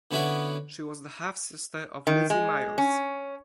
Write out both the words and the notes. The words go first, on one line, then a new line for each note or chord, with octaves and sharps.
She was the half-sister of Lizzie Miles.
D3 B3 C#4 E4 F#4 D5
D#3
G#3
C#4